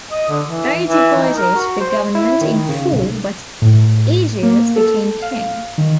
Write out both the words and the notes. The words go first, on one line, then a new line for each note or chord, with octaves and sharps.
They divided the government in four but Aegeas became king.
D#5
D3
E3
E3
D#4
A#4
F#4
C5
E4
D#3
C#3
B1
A2
A#3
A4
F5
D#3